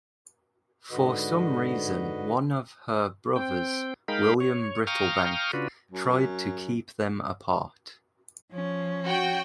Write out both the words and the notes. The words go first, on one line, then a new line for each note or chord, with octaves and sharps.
For some reason one of her brothers, William Brittlebank, tried to keep them apart.
G#2 D3 F#4 B4 D#5
C4 G5
G#3 D#4 A#4 F5 G5 B5
C#5
F5 G5 A#5 C#6 D#6 F6
C#3 D4 F4 F#4 B4
F#2
F3 C#4
F#4 G5